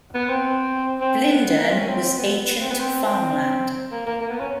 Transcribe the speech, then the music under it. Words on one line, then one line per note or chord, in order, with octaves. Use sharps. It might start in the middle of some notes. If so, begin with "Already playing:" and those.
Blindern was ancient farmland.
B3
C4
C4
B3
A#3
C4
C#4
C4
B3
B3
C4
B3
C4
C4
A#3
A#3
A#3
B3
C#4